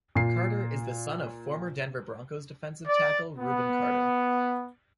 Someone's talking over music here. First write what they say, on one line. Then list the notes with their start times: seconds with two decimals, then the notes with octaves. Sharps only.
Carter is the son of former Denver Broncos defensive tackle Rubin Carter.
0.15 A#2 C7
2.88 D5
3.38 B3